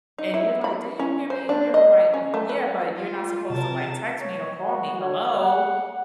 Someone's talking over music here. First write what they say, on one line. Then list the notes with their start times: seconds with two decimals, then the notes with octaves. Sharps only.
and you're, like, "Didn't you give me your like" "uh yeah, but you're not supposed to like text me or call me, hello,"
0.18 D#4
0.34 E4
0.64 B5
0.99 C#4
1.30 C5
1.49 D4
1.74 D#5
2.14 C#4
2.34 A3
2.49 B4
2.96 F4
3.50 C3 A#4 A5
4.21 C#5
4.61 F#4
5.01 C#5
5.41 F#5